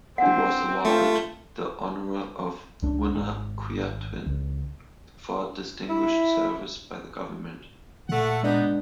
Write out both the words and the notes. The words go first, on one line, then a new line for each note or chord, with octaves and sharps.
He was awarded the honour of "Wunna Kyawhtin" for distinguished service by the government.
C4 D4 F#5
A3 F4
C#2 D4
G#1
C#2
E4
A#2 A3 F#5
G#3 B3 D4 D#4